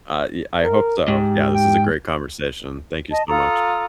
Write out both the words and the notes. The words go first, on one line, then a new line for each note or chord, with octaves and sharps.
I yea I hope so. Yeah, this is a great conversation. Thank you so much.
A#4
G#2 G4
G5
D#5 A5
F4 A4 A#5 D#6